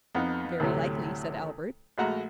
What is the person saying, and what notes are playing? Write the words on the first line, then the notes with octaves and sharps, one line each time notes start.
"Very likely," said Albert.
F2 B3 D#4
D2 A2 C3 F#3 A3
A#1 G#3 A3 F#4 F#5 A#5